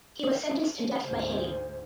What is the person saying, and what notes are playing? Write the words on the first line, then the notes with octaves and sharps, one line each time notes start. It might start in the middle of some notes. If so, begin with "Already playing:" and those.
He was sentenced to death by hanging.
D2 G#2 C5